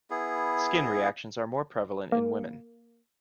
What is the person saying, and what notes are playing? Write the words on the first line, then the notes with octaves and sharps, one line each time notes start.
Skin reactions are more prevalent in women.
B3 E4 G#4
A#3